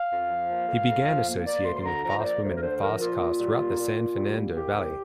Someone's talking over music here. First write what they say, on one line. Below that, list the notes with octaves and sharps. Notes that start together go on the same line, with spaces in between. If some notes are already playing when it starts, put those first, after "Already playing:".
He "began associating with fast women and fast cars throughout the San Fernando Valley".
Already playing: F5
F2
F3
A#3
F2
F2
F3
A#3
A#3 D5
D2 C6
C6
D3 A#5
F3 A#5
C5
A#3 D5
D2 C5
A#4
D3 C5
F3 A#4
A#2 F4
A#2
G3
A#3
A#2
A#2
G3
A#3
C2 G4
C2